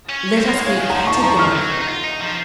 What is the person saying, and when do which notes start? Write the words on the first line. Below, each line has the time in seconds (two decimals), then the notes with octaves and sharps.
Let us be categorical.
0.09 C#4
0.37 C4
0.41 A#3 C5
0.53 C#5
0.58 G#3
0.66 C#5 F5
0.78 D#3 F5 G#5
0.90 F3 F#5 A#5
1.07 A#5 C#6
1.22 A#5 C#6
1.38 F3 C#6 F6
1.55 F#3
1.71 D#4
1.81 D#4
1.88 F4
2.04 D#4
2.20 F3